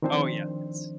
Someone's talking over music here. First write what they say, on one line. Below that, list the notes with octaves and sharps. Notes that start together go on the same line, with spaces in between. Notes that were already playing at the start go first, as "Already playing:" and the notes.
Oh, yeah, it's
D#3 F3 C4 D4 C5